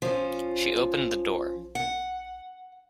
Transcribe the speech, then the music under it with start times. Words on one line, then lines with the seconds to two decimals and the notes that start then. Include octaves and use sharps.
She opened the door.
0.02 F3 C#4
1.75 F#5